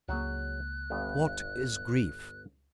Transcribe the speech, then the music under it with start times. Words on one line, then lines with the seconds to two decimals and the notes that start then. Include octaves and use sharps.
What is grief?
0.09 C#2 F#3 A#3 F#4 G#4 F#6
0.90 G1 G2 B3